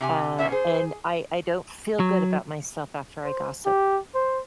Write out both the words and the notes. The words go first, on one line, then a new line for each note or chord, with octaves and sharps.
uh, and I I don't feel good about myself after I gossip.
C3 G4 G#5
B2 B3 C#4 E5
G#4 C5
F#3
C5
G4
C5